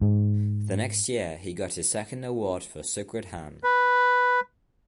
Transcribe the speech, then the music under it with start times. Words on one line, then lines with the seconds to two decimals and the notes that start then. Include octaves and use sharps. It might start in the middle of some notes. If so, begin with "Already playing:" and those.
The next year he got his second award for "Sukrutham".
0.01 G#2
3.64 B4